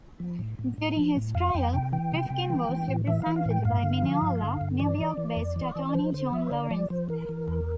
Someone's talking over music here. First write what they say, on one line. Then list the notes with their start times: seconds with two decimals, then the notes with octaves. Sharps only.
During his trial, Rifkin was represented by Mineola, New York-based attorney John Lawrence.
0.20 F3
0.39 A2
0.59 A2
0.78 A2
0.96 F3
1.17 A2
1.35 F2 F5
1.54 F2 G5
1.73 C3 G5
1.93 E3 G5
2.12 C3
2.30 C3
2.50 E3
2.69 E3
2.88 A2
3.07 E3 E5
3.22 E3 F5
3.36 F5
3.46 A2 G5
3.65 G2 F5
3.83 D3
4.03 F3
4.22 G2
4.42 D3
4.61 G2
4.80 E3 D5
4.98 E3
5.17 E3
5.37 F2
5.56 E3
5.76 E3
5.88 D5
5.95 F3 C5
6.14 D3 C5
6.32 F3 E5
6.46 C5
6.51 D3 D5
6.71 F3 D5
6.90 F3 C5
7.09 E3 A#4
7.29 E3
7.48 E2